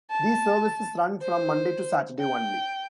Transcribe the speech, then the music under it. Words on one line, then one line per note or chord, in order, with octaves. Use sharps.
These services run from Monday to Saturday only.
A5
C5
G5